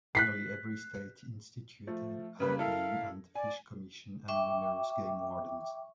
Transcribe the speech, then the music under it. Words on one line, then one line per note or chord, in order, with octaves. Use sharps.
Nearly every state instituted a game and fish commission and numerous game wardens.
F#6 B6 C7
F3 A3
C#3 G3 A#3 B4
E4 A4 A#4 F5
D5 G#5
E5 G5 C#6 D6